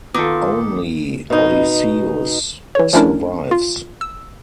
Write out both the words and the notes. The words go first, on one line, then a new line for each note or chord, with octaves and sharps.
Only Odysseus survives.
D#3 B3 F4 A4 D6 D#6
B2 D#4
E3 C#5
F3 A3 C#4 D4 E4 A#4
F4
E6